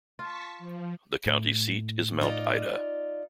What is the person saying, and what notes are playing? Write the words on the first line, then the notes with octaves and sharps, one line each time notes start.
The county seat is Mount Ida.
F4 A5 C#6 B6
F3
A2
D#4 F4 D5